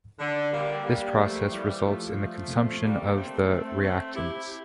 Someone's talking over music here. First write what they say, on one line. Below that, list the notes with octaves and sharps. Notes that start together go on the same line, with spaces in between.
This process results in the consumption of the reactants.
D3
G3 A#3
G3 A#3
F3 A3
E3 G3
F3 A3
G3 A#3
A3 C4
A3 C4
A3 C4
E4 G4